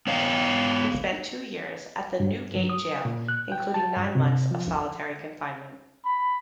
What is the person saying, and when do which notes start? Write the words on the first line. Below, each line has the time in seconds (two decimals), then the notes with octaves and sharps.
He spent two years at the Newgate Jail, including nine months of solitary confinement.
0.07 B3 C#5 F5 G5
2.20 G2
2.56 F#3
2.70 D#6
3.05 A#2
3.28 F#6
3.52 G5
3.74 A5
3.97 G2
4.15 C3
4.51 F3
6.05 B5